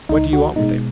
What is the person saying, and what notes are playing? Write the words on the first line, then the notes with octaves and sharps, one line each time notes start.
"What do you want with him?"
C#2 D#4
F#4
B2 G#3 D#4